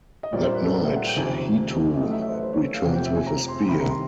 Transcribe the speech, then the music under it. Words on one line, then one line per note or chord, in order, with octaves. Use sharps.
That night, Hitu returns with a spear.
D#5
A#1 A#2 G3 A#3 D5
C5
B4
A4
D5
E5
F#5
G5
F#1 F2 C3 D#3 G#5
A1 A2 F#3 A3 D#5
E5
E5
C5
B4
C5
C#5
F5
F1 F2 C3 F#5
G5
E5
G#5
A#5
C6
C2 C3 D#3 B5
A#5
C6